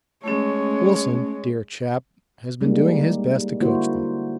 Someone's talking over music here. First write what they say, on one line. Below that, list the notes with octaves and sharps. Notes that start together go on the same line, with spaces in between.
Wilson, dear chap, has been doing his best to coach them.
G#3 A3 C#4 C#5
G3 G#3 A#3 D#4
D3 A#3 E4 F#4 C5